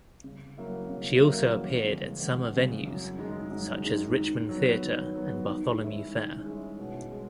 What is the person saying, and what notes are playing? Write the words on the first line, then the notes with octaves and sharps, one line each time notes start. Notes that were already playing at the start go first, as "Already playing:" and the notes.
She also appeared at summer venues such as Richmond Theatre and Bartholomew Fair.
C#3
F#3 A#3 E4
C#3
F#3 A#3 E4
E2
C#3 G#3
E2
C#3 G#3
F#2
D#3 G#3 D#4
F#2
D#3 G#3 D#4
D#3
F#3
B3
D#3
F#3 B3
D#3
G#3 C#4 E4
D#3
G#3 C#4 E4
B2
G#3